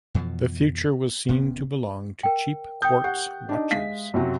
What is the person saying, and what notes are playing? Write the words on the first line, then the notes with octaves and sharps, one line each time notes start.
The future was seen to belong to cheap quartz watches.
F2 B2 E3 F3
D1 C3 B3 C#4
A#4 G5
G5 D#6 G6
G4 F#5
D4 D#4
G#3 E5 F5 B6
F#2 C3 F#3